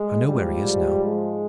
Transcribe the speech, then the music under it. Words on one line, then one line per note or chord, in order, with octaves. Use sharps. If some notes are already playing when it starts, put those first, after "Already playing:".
I know where he is now.
Already playing: G#3
G#2 F3 G3
G#3